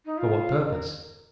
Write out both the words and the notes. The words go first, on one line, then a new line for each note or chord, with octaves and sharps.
"For what purpose?"
D#4
F4
A#4